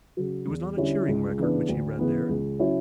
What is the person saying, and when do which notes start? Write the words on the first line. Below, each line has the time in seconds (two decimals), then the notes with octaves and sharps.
It was not a cheering record which he read there.
0.17 C#3 F#3
0.47 E2
0.77 D3 G3 C#4 E4
1.07 C#2
1.38 C#3 E3 B3 D4
1.68 D2
1.99 C#3 E3 B3
2.29 C#2
2.59 C#3 F#3 C#4 E4